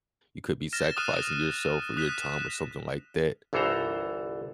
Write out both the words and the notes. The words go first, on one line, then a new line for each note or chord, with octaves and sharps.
you could be sacrificing yourself or your time or something like that,
F6 A6 A#6 E7
D#6 F6 F#6 D#7
D#6 F#6 B6 E7
G1 C2 E3 A4 C5 A#5